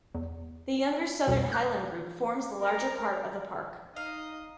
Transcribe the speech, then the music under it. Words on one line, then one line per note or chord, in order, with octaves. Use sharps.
The younger Southern Highland Group forms the larger part of the park.
E2
C2 F2 B2
F#6 G6
A#4
D#4 D#5 F5